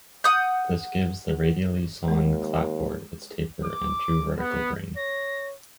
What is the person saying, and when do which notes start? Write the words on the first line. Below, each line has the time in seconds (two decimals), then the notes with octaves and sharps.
This gives the radially sawn clapboard its taper and true vertical grain.
0.24 F#5 D#6 G6
2.08 D#2 G#3 A#4
3.64 D6
4.38 B3
4.96 C#5 A#6